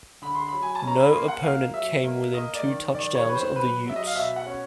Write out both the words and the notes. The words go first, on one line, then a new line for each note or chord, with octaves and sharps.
No opponent came within two touchdowns of the Utes.
D3 B5
C6
F#3 B5
G#5
A5
C#4 A#5
B5
A#3 C6
F#5
A#3 F5
F#3 E5
A#3
A#3 D#5
D5
D#3
D#3 D5
C#5
D#3 B4
C5
F#3 B4
F#3 E5
D#5
F5
B2 E5
F#5
C#4